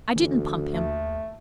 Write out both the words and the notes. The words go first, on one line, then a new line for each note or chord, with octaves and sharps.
I didn't pump him.
D2 E3
D#2 A3